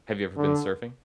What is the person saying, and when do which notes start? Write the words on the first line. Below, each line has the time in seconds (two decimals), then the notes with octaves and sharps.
Have you ever been surfing?
0.37 D3